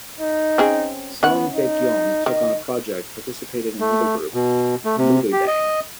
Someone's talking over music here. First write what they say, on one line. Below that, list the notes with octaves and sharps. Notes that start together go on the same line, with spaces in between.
Song Baekkyoung took on a project participating in another group, MoogaDang.
D#4
C4 C#4 G#4
B3 C#4 F#5
D#4
D#3 D#5
A3
B2
A3
C3
G4
D#5